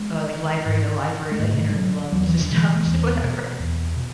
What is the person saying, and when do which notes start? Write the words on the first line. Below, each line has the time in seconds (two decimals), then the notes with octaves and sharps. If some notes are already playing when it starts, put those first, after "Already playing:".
like, library-to-library, like, interloan systems, whatever.
Already playing: G#3
0.66 G#2
1.32 G#3
1.39 G#2 A3
1.69 G#3
1.76 F#3
2.12 E2 F#3
2.26 E3
2.40 D3
2.50 B2 E3
2.86 E2
3.23 B2
3.59 E2
3.96 B2